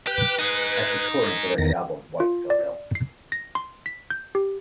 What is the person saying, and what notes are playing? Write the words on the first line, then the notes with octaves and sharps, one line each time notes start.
After touring for their hit album, White fell ill.
G4 B4
D#4 G#4
E2 D#3 A#6
F4
D5
C7
A#6
C6
B6
G6
G4